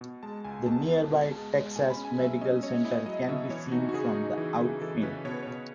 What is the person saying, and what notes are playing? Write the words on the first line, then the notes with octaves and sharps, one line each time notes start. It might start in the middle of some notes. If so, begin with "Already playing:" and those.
The nearby Texas Medical Center can be seen from the outfield.
B2
G#3 A5
C#2 G#5
B2 A5
B3
B2
G#3 A5
G#3
B2 G#5
B5
C#4
G#5
F#3 E5
C#4 D#5
C#4 C#5
E4 D#5
F#3 D#5
B2 E5
E3 C#5
D#4 F#4
F#4
C#3 G#4
D#4
E3
C#3
E3 A4
C#5
C#3 B4
B2 C#5
B4
B2 C#5